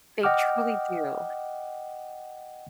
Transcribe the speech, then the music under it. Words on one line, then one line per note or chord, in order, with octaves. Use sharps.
They truly do,
D#5 F#5 G5 D6 F6